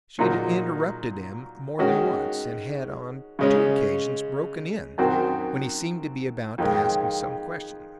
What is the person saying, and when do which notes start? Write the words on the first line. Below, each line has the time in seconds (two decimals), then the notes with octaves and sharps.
She had interrupted him more than once, and had on two occasions broken in when he seemed to be about to ask me some question.
0.19 A#2 F#3 A#3 D#4 F#4
1.79 D#3 G#3 C#4 F#4
3.39 C#3 G#3 C#4
4.98 F#2 D#3 F#3 C4 F#4
6.58 F2 D#3 G#3